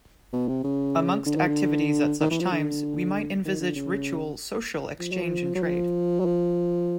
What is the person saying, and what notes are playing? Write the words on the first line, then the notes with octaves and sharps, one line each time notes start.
Amongst activities at such times, we might envisage ritual, social exchange and trade.
B2
C3
C#3
D3
D#3
D3
D#3
E3
F3
D3
D#3
D3
C#3
F3
F#3
F3
F#3
F3
F#3
F3